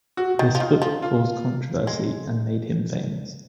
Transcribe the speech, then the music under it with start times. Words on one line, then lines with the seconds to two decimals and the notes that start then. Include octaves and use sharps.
This book caused controversy and made him famous.
0.17 F#4
0.39 D#3
0.55 F3
0.60 D#3 F4
0.82 F3
1.02 F4
1.87 G#3